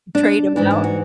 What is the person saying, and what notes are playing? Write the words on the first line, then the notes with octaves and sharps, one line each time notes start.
Trade 'em out?
D4
G#2 E3 D4
D4
F#4